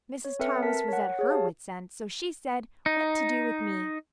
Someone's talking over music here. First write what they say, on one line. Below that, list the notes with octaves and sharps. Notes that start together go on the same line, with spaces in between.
Mrs. Thomas was at HER wits' end, so she said, what to do with me.
C#5
C4 A4 B4 E5 F6 C#7
A#4 A5 B6
C#5 F#5
G#4 C#5
G4 F5 A5
D#4